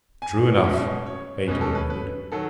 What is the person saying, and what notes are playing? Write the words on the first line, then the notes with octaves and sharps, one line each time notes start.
"True enough," Ato admitted.
G#5
F#5
B2 G#3 C#4 E5
C#5
B2 G#3 C#4 B4
A4
B4
B4
D#3 F#3 A4